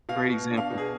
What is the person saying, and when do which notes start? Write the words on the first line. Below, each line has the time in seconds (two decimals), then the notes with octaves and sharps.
great example.
0.09 B2 F5
0.29 B2
0.50 D4
0.57 F5
0.70 B2
0.78 G#4